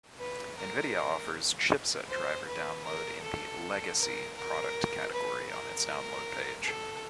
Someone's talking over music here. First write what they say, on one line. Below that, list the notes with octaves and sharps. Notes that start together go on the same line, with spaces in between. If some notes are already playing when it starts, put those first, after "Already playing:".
Nvidia offers chipset driver download in the "Legacy" product category on its download page.
B4
A#4
C5
B4
A#4
A4
A#4
A#4
B4
A#4
A4